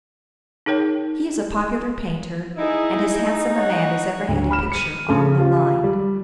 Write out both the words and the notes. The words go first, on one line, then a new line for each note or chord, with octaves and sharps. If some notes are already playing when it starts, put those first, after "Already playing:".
He is a popular painter, and as handsome a man as ever had a picture "on the line."
D#4 G#4 A#4 C#5 G5
D#4 E4 G#4
C#5 F#5
D2
B5 F6 E7
C#7 D#7
C#3 A3
F4 G4
G3